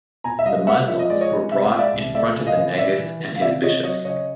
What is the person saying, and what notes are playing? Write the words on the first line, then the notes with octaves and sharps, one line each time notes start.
The Muslims were brought in front of the Negus and his bishops.
B2 G#5 A#5
E5
G3 D#5 F5
A#3 E5 F#5
F3 E5
D#5
G#3 D5
C#5 D#5
G#3
C3 E5
F5
G#3
D5 E5
C2
A3 D5 E5
C#3
D#5 F5
E3
E3 D5 E5
E3
E3
F5
C3 D5 E5
C3 C#5 D#5
F#3 C#5 D#5
C#3 C#5 D#5